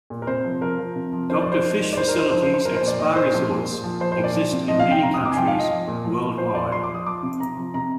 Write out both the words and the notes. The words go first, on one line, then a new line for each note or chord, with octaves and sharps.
Doctor fish facilities at spa resorts exist in many countries worldwide.
A#2
A#4
C3 C5
F3
F3 A#4
F3
C3
F3
F3 C5
D5
F3
C5
D#3
D#3
D5
D#3 C5
A#4
D#3
C5
F3 C5
C5
F3
C5
F3 A#4
C5
A#2
D5
A#2 D#5
A#2 C5
F3
A#2
A#2
F3
F3 C5
C5
A#2
D5
F3
C3
F3 D#5
F5
F3 G5
C3 A#5
D#6
C3
D6
G#5
F3 G5
F5
F3
D#5
F3
A#2
F3
A#2
F3 C5
A#2 D5
F3 C6
D6
F3
D#6
F3 D6
C3
C3 A#5
F3
C3 A#5